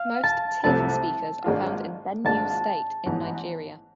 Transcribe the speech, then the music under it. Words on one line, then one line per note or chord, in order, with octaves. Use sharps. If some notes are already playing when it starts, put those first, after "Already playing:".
Most Tiv speakers are found in Benue State in Nigeria.
Already playing: F5
A5
C2 C3 F3 A3 E4 A5
G#1 G#2 G#3 D4 F4
G#1 G#2 G#3 D4 F4 A5
A1 G#2 E3 B3